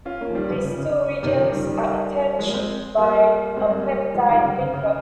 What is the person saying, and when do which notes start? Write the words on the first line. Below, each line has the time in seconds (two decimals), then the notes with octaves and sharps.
These two regions are attached by a peptide linker.
0.05 C#4 F4
0.21 A#3 C#4
0.30 F3
0.35 D#3 G3
0.49 C#3 F3
0.64 C#3
0.79 C#3
1.23 C3 D#3
1.37 C#3 F3
1.52 D#3 G3
1.67 D#3 G3
2.39 F3 G#3
2.49 A#3
2.54 G#3 C4
2.97 G3 A#3
3.57 G#3 C4
3.70 G3 A#3
4.14 F3 G#3
4.29 D#3 G3
4.43 C#3
4.59 C#3
4.73 C#3